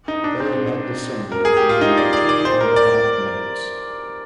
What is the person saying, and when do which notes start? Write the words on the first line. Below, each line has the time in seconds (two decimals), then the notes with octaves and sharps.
They had descended in under two and a half minutes.
0.08 D#4
0.24 D4
0.40 C4
1.32 A#4
1.45 G#4
1.57 G4
1.69 F4
1.81 D#4
1.97 D5
2.13 D5
2.29 D5
2.45 C5
2.61 A#4
2.76 D5